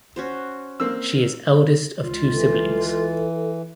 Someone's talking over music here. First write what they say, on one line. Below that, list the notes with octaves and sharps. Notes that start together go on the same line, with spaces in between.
She is eldest of two siblings.
C#4 F#4 C5
A#3 C4 E6
C#2 F4
E3 A4